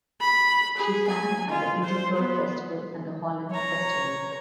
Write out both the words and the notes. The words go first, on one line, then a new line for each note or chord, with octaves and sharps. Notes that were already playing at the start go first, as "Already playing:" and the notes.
She sang at the Edinburgh Festival and the Holland Festival.
B5
G#4
G#5
F4
C5
B3
C#5 A#5